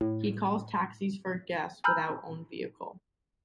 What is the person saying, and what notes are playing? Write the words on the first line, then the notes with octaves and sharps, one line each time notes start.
He calls taxis for guests without own vehicle.
A2
G#5 A#5 B5 E6 F6 G6